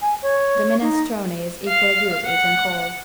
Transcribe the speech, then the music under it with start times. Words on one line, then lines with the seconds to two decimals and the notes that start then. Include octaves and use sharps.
The minestrone is equally good eaten cold.
0.02 G#5
0.22 C#5
0.81 D#4
1.67 F5
2.26 F#5